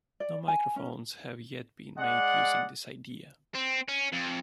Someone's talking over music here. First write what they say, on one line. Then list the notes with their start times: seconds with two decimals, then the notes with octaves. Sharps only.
No microphones have yet been made using this idea.
0.20 D5
0.48 G#5
0.76 C#4
1.98 G#3 D5 F#5
3.55 C4
3.88 C#4
4.12 F2